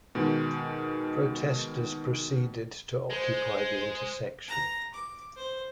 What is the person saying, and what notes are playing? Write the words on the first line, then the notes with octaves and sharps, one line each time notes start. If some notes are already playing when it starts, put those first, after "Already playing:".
Protesters proceeded to occupy the intersection.
B2 D#3 G#3
G#3 C5
A#5
D6
C5